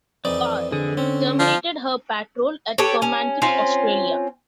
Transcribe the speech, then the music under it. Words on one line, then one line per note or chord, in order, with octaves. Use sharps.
"Gar" terminated her patrol at Fremantle, Australia.
F2 E3 D#4 D5
D3 G#4
C4 C#4
F3
G4 A4 B4 C#5
C#4
C4 C#4 F4